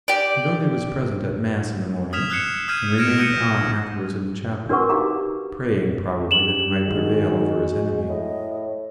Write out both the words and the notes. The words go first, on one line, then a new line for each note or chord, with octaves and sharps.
De Gondi was present at Mass in the morning and remained on afterwards in the chapel, praying, probably, that he might prevail over his enemy.
G4 D5
D#6 F6 G#6 B6 E7 F7
E6 F#6 G#6 C7 C#7 E7
D#6 F6 G6 G#6 B6 D#7
F6 G#6 A#6 C#7 D7 E7
D#6 E6 G6 A#6 C#7 D#7
D4 F#4 A#4 B4 F#5 C#6
D#4 G4 F5 A#5 D6
G3 C#4 E7 F#7
D#3 G#3 F#4
A2 D#5